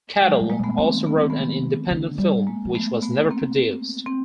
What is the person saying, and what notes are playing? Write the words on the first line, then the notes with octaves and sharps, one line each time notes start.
Cadell also wrote an independent film, which was never produced.
F#3 G#3
G#2 G3 A3
G#3 A#3
A#2 A3 B3
D#3 A#3 C4
B3
C4
A3 B3
D3
G3
G#3 A#3
F3
A3 B3
A3 B3
A#3 C4
C4